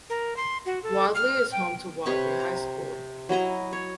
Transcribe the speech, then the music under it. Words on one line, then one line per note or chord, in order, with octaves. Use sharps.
Wadley is home to Wadley High School.
A#4
C6
F#4
A4
F6
G5
C3 B4 C#5 C#6
A#5
F#3 E4 D#5 A#5
C#5